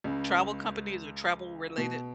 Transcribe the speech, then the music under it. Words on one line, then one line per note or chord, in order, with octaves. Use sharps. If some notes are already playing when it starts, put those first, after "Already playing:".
travel companies or travel-related?
C#2 C#3
B2